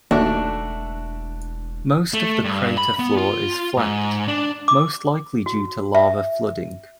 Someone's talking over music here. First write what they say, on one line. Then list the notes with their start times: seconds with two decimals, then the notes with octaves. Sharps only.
Most of the crater floor is flat, most likely due to lava flooding.
0.11 E1 D#2 A3 D4 F#4 E5
2.14 A3
2.44 G2
2.78 B5
2.99 B3
3.17 F4
3.77 G#2
4.28 D4
4.68 D6
5.46 F#4
5.95 E5